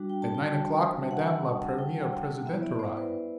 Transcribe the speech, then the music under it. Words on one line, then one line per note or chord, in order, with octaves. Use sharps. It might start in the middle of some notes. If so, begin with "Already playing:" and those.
At nine o'clock Madame la Premiere Presidente arrived.
Already playing: G3 D4 F#4
G5
A5
G5
F#5
G5
G5
B3 E4 E5
D5
C5
B4